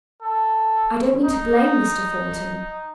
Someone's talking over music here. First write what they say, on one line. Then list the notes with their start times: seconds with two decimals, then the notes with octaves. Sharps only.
I don't mean to blame Mr. Thornton.
0.22 A4
1.24 D#4